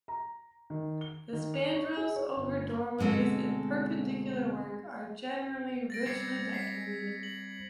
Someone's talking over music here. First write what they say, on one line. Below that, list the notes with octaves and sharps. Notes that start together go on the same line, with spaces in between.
The spandrels over doorways in Perpendicular work are generally richly decorated.
A#5
D#3
G7
D#3
F7
C#5
G#4
C#5
G1
D2 B2 G#3 C4 A4
A6 A#6 D7
G3 C4 G#6 C7 C#7
B6 C7
F#7